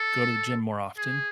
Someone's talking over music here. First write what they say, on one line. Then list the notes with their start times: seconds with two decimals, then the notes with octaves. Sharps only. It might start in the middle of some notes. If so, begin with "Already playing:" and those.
go to the gym more often,
Already playing: A4
0.97 G#4